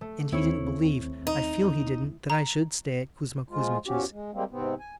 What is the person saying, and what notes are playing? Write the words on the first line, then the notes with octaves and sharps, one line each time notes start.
And he didn't believe, I feel he didn't, that I should stay at Kuzma Kuzmitch's.
A3
D#2 C4 E4 C#5
D#4
A#5
F3 G#3 F4
E2 F3 C#4 F#4 G4
G#3
G3 G#3 A#3 C4
G#2 C3 B3 C4
G#5